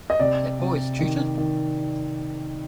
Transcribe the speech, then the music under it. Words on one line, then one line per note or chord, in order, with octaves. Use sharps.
That boy's tutor?
D#5
C3 D5
C3
D#3
D#3